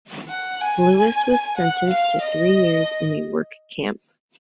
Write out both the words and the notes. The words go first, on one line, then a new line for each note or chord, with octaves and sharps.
Lewis was sentenced to three years in a work camp.
F#5
G#5
F#5
F5
D#5